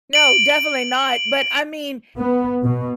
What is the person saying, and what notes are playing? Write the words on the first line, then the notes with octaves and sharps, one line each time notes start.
No, definitely not, but, I mean,
D7 F#7
B3
B2